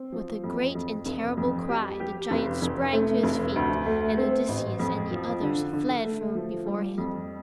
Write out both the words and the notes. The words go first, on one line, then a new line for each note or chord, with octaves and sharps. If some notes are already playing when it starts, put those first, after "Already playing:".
With a great and terrible cry the giant sprang to his feet, and Odysseus and the others fled from before him.
Already playing: C4
F3
F2
F2
F1
F2
G4
G4
F1
F1
A3
F1
D2
A3
C4
A1
F2
F3
D3
D3
A3
F3
G3
F2